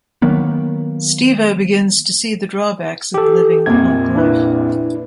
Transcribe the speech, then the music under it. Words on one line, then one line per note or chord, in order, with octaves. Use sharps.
Stevo begins to see the drawbacks of living the punk life.
D#3 F#3 A#3 B3
G4 A4
A#1 F2 A#2 G#6
D4 E4 B4